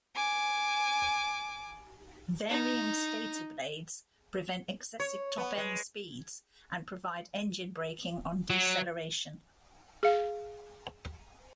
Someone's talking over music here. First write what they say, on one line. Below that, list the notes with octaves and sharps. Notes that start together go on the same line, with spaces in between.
Varying stator blades prevent excessive top end speeds, and provide engine braking on deceleration.
G#5 D6
D#4
C#5
B3
G#3
F#3
G#4 F5